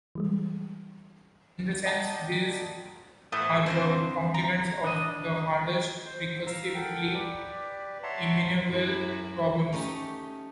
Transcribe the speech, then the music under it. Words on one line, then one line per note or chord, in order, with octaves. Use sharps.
In a sense, these are the complements of the hardest recursively enumerable problems.
E3 G3 G#3
D5 D#5 F#5 G5 A5 A#5
A2 E3 A3 B3 C5 D#6
F2 D3 F3 C4 C#4 C5
A#5
D4 D#5
C5
F5 A#5 E6
A4 A#4 F#5 G5
G4 B4 D5
C#5 E5 F#5 A5 A#5 C6
F#2 E4 F#4
A3 C#4 D#4 G4